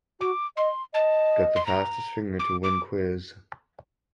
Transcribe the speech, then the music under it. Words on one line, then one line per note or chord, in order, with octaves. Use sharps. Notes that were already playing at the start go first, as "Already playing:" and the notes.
Got the fastest finger to win quiz.
F#4 D6
D#5 C6
D#5 A5
C6
A#5
D6
D6